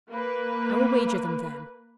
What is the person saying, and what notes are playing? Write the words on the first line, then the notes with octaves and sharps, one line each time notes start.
"I will wager them, then."
A#3 B4